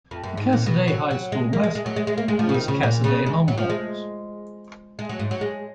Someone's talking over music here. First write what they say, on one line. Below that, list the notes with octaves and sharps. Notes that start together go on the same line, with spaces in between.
The Cassoday High School mascot was Cassoday Longhorns.
F2
F#2
G#2
A#2
B2
F#3
F#3
G#3
A#3
G#3
G#3
F#3
G#3
G#3
A#3
G#3
F3
C#3
D#3
C#3
A#2
C#3
G#3
F#3
F3
G#3
G#3
F#3
G#2
F#3
G#3